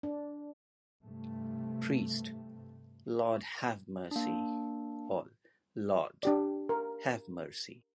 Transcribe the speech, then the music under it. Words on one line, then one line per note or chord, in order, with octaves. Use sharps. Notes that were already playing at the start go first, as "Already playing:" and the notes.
Priest: Lord, have mercy. All: Lord, have mercy.
D4
G2 C3 A3
A#3 D4
D4 G4 D5
A#4